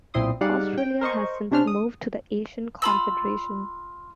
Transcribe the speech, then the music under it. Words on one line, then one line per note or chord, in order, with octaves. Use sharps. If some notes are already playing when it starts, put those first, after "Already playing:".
Australia has since moved to the Asian confederation.
B1 A#2 C4 E4 C6 D#6
G3 G#3 D#4 D5 F5 F#5
G5
A#4 C5 D#5 C#6
C3 C#4 D4 C5 F6
D#6
F4 B5 E6